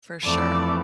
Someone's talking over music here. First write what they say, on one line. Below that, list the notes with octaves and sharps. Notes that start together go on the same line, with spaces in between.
For sure.
F2 E3 A3 D5